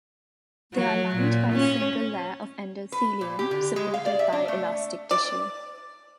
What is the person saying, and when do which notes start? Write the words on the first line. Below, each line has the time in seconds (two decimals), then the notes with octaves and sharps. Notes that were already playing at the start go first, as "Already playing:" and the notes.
They are lined by a single layer of endothelium supported by elastic tissue.
0.74 F#3
1.16 A#2
1.53 C#4
2.92 B4
3.21 A#2
3.39 G4
3.51 D3
3.76 G#3
3.94 F5
4.06 D5
4.19 E5
4.33 D4
4.48 A3
5.11 D5